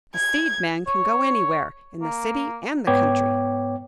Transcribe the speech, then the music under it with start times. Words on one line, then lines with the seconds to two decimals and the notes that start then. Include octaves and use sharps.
A seed man can go anywhere, in the city and the country.
0.15 G#6
0.87 C#5
2.02 A#3
2.87 G#2 B3 C#5 G5 D6 G#6